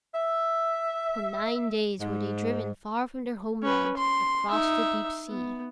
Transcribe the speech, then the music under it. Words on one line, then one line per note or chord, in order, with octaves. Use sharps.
For nine days were they driven far from their homeland, across the deep sea.
E5
G#2
C#4 B4
C6
D#4 E5
B3